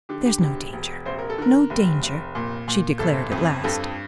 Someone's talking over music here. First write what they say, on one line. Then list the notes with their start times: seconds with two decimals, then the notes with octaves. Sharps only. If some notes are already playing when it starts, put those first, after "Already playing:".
"There's no danger--no danger!" she declared at last.
0.09 D3 G4
0.25 G4
0.41 E1 G4
0.73 E1
1.06 A1 C5
1.19 A#4
1.30 A4
1.38 D3 A#4
1.70 F1
2.03 F1
2.35 A#2
2.68 A#2
2.99 G1 A4
3.32 F2
3.64 G2 A4